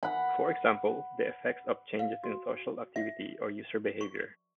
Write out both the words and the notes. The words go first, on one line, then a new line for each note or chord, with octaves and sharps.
For example, the effects of changes in social activity or user behavior.
F#5 B5
F5
F#4
E5
C#6